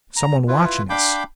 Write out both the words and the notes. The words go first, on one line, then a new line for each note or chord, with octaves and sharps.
Someone watching us.
A#5
E4 F4 B4
D4 F5 G5 B5 D6 G6